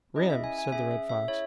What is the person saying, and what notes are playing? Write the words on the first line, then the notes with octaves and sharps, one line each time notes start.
"Rim," said the Red Fox.
C#4 E4 G#4 D#5
E5
G#5
G#5
C#4 G#4 E5
E5
E5
C#4 E4 G#4 C#5